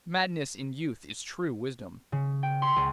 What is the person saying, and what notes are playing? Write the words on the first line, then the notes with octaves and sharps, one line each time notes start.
'Madness in youth is true wisdom.
C#3
G5
C6
C#2